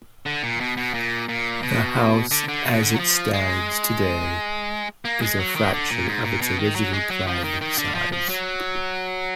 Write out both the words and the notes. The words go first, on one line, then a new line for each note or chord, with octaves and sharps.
The house as it stands today is a fraction of its original planned size.
D3
A#2
B2
B2
A#2
A#2
B2
D3
D3
B2
D3
F#3
F3
G#3
A#3
G#3
F#3
D#3
D3
A#2
G#2
A#2
B2
D#3
F#3
G#3
F#3
F3
D#3
D#3
D3
F3
F3
F#3